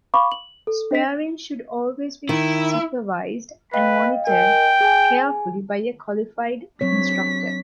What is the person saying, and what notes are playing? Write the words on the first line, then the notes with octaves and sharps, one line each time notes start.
Sparring should always be supervised and monitored carefully by a qualified instructor.
F5 B5 C#6 D6
F#7
A4
D4 D#5 B6
D#3 E4
B4 D#5 F5 G5
A#4 D#5 G5 G#5
G#4 G#5
F#3 C4 D4 C#5 B6